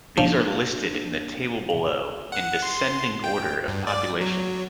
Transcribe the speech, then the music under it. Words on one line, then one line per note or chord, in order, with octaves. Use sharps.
These are listed in the table below, in descending order of population.
F3 A#3 D4
F#5
C6
G5
G2
D5
F#3